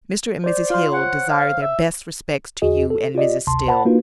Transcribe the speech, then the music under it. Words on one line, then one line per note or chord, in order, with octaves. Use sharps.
Mr. and Mrs. Hill desire their best respects to you and Mrs. Still.
C5 D5
F4 F5 C6
C5 C#5 F#5
F5
E5
E2 F#4 G#4 D#5
A4
F4 G4 D5 D#5
G#1 D2 C3 A5 C6
C5 F#5 A5 B5
A#3 D4 D#4 F4 F#4 B4